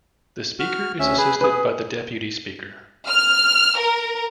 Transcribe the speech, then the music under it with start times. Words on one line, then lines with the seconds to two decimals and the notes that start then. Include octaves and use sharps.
The Speaker is assisted by the Deputy Speaker.
0.60 F#4 F6
0.99 D2 C#4 E5
1.18 G#4 B4
1.41 G#4 B4 D#6
3.09 F6
3.78 A#4